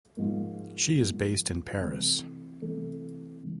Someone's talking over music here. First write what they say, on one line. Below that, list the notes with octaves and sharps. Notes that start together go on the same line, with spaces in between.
She is based in Paris.
G#2 F3 A#3
G#2 F3 A#3
C3 E3 A3
C3 E3 A3
C#3 E3